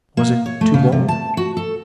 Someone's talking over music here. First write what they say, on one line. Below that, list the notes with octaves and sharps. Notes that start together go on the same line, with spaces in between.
"Was it too bold?"
A#3
C#5
A3
C#3
C3
A5
F#4
A4